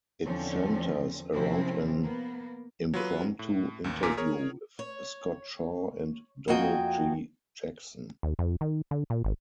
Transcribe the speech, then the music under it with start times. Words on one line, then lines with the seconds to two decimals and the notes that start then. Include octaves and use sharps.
It centers around an impromptu interview with Scott Shaw and Donald G. Jackson.
0.24 E2 D3 F3 C4 C#4
1.34 C3 F3 C4 C#4 E4
2.01 A#3 B3
2.94 F#3 F4 B4
3.39 A2
3.84 A1 D#2
4.03 A#1 A#2 A#4 G#5 D6 B6
4.17 G#4 A#4 C#5
4.79 C#5
6.48 F2 A#3 F#4 D#5 G5 G#5
8.23 D#2
8.39 F2
8.61 D#3
8.91 D3
9.10 A#2
9.25 G#1